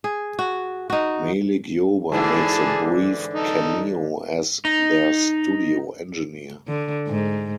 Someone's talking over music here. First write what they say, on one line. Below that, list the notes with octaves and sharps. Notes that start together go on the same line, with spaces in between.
Malik Yoba makes a brief cameo as their studio engineer.
G#4
F#4
D#4 F#4
G#2 D3 E3 G#4 A5
D#4 A4
D#4
D3
G#2